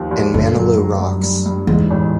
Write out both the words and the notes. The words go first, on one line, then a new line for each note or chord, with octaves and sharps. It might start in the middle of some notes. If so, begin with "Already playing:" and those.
And Manilow rocks.
Already playing: D#2 F3
D#2
F#2 D3
F#3
F#3
G2
G2
G2
E2 G#2
A1